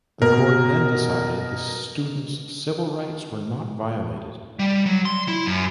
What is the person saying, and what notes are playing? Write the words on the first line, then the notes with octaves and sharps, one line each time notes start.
The court then decided the students' civil rights were not violated.
B2 A#4
G3
F#3
C6
E4
F#2